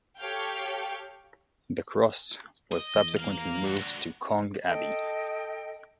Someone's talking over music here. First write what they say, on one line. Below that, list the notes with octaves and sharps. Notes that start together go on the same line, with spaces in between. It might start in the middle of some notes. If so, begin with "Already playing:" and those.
The cross was subsequently moved to Cong Abbey.
G4 A4 C#5 F5 G5
D#5
E2
A#4 F5
D4 F#4
A4 D#5 G5